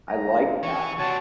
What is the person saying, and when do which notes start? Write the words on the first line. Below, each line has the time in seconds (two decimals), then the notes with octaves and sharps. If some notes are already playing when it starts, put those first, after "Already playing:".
I like that.
0.09 A#5
0.63 E3 C#6
0.99 C3 D4 F#4 C#5 A5